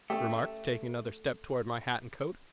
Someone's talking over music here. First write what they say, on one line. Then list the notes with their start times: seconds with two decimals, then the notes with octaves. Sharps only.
I remarked, taking another step toward my hat and coat.
0.10 A3 C#4 G4